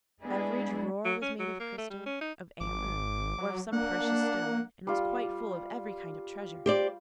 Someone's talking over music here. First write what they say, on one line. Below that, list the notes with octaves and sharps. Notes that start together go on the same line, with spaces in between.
Every drawer was made of crystal, of amber, or of some precious stone, and was quite full of every kind of treasure.
G#3 B3 D4 E4 G#4
F#3
C#4
F#3
A#3
A3
G3
C#4
D#4
G#1 D6
F#3
A#3 D4 F#5
G3 F4
G4 C5 D5